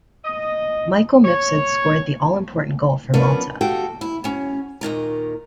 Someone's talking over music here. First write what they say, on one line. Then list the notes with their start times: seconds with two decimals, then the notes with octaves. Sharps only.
Michael Mifsud scored the all important goal for Malta.
0.24 D#5
1.24 C#5
3.14 F3 B3 C#4 D4 A#4 B4
3.61 F#4 G4 A4 F5 G5
4.01 E4
4.24 F#3 C#4
4.81 D#2 A#2 D#3 A#5